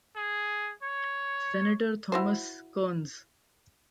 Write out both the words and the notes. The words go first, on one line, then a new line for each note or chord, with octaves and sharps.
Senator Thomas Kearns.
G#4
C#5
E4 F#4 C5